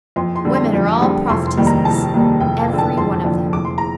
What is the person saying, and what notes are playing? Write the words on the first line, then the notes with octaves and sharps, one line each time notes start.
Women are all prophetesses, every one of them.'
F2 C6
C6
D3 G3
C6
F2
D3 G3
F1 C6
C6
D#2 D#3 G3
A#5
F1 A5
D#2 D#3 G3
F1 G5
A5
F2 D3
A5
F1 C6
F2 D3
F1 D6
C6
A#5